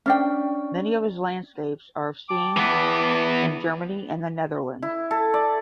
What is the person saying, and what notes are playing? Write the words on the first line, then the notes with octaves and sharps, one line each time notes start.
Many of his landscapes are of scenes in Germany and the Netherlands.
C#4 D4 G5
G5 A5 D6
E3 B3
E4
A4
D5